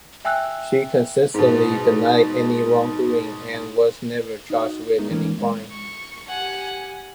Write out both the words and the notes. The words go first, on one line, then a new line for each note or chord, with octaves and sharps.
She consistently denied any wrongdoing and was never charged with any crime.
E5 G5 G#5 E6 F#6
G#2 B2
D#4 F#4
G#3 A3 B3 D#4 G#4
E3 G#3 A#3 C#4 D#4 F4
G#3 B3
C#6
G4 F#5 G#5